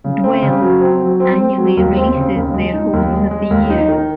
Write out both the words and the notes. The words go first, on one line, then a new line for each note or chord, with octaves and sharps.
"Dwell" annually releases their homes of the year.
C#3
C4
C#3
F#3
C4
F#3
C4
C4
F#3
D#2
C4
C#3
D#2
G#3
D#4
D#2
G#3
G#3
D#2
D#4
D#3